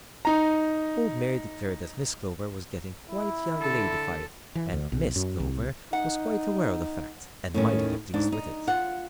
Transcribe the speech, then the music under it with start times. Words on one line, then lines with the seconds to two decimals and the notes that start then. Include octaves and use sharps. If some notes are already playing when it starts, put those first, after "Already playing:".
Old Mary declared that Miss Clover was getting quite young-ladyfied, and "Miss Clover" was quite aware of the fact, and mightily pleased with it.
0.25 D#4 A#5
3.10 E4
3.58 D3 A4
4.55 E3
4.73 D2
4.92 B1
5.16 F#2
5.40 C2
5.93 D#4 F#5
7.54 A2 D#3 C#4
8.14 G#2 D4
8.32 D#4
8.67 F4 F#5